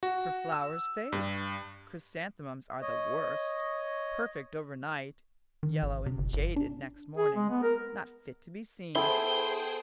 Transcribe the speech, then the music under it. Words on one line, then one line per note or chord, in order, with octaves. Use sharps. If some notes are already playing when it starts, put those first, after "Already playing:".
For flowers fade; chrysanthemums are the worst; perfect over night; yellow and jaded next morning--not fit to be seen.
F#4
E6
G2
C#5 D#5
D#3
G#1
C3
G1
G1
D4
G#4
G#3
B3
A#4
B3 E4 G#4 A4 C5 G5 C6